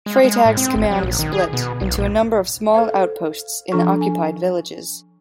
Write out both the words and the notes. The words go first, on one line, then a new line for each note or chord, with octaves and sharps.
Freytag's command was split into a number of small outposts in the occupied villages.
G#3
G#3
A2
C4
G#1
F#3
A#1
D#3
G#4
B2
B1
A#1
A4 C5 F5
F3 D4 A4 C#6
G#5